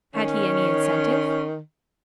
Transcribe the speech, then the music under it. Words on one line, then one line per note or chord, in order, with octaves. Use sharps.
Had he any incentive?
D#3 C#4